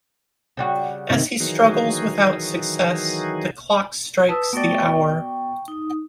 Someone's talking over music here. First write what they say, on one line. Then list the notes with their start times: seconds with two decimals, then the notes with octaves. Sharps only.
As he struggles without success, the clock strikes the hour.
0.57 C#3 G3 F#4
1.10 C3 D#3
1.40 D#3 E3 F#3 D#4 F#4 G#4
4.29 B4 A5 D#6 E6
4.53 A3 B3 F#4 D5 G5
4.69 G5 C#6
5.68 D#4 D#6